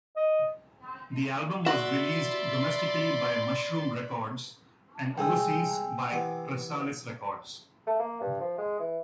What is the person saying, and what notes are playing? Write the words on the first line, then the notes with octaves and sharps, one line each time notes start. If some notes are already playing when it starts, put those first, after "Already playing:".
The album was released domestically by Mushroom Records, and overseas by Chrysalis Records.
D#5
F#4 D5 E5 F#5 B5 C6 A6
C2 G#3 G5 G#5 D#6 E6
C3 E3 B3
A3
A#3
G2
F3
G#3
E3